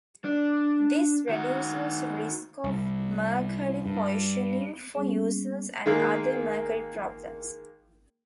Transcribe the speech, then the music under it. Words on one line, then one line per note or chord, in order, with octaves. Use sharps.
This reduces risk of mercury poisoning for users and other mercury problems.
D4
D#3 F#4
C2
G2
G3 A#3 B3 C#4 G#4
D#3 G#3 A#3 G#4